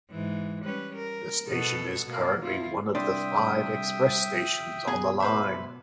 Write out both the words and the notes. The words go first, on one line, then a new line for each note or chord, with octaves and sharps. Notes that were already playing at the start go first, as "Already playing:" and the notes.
The station is currently one of the five express stations on the line.
G#2 E3
G3 C#4 B4
A#4
B2 B3 A4
B2 A#3
E4 F4
C2 D4 E5 G5 C6 D#6
B2 G#4 D#5 G#5
B4 C5 E5